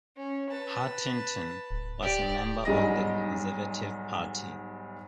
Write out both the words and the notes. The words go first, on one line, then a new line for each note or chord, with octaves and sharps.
Hartington was a member of the Conservative Party.
C#4
B4 A5
D1
G4 D5
B1 G#2 G3 G#3 D#5 A#6